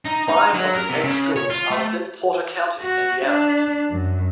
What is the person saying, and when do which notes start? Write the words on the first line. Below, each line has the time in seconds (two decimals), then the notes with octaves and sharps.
Five of the eight schools are within Porter County, Indiana.
0.06 D#4
0.29 D#4
0.54 F#3
0.75 A#4
0.90 C3
1.04 C#3
1.36 C#5
1.50 F4
1.71 A3
2.82 F#4
3.26 D4
3.90 F#2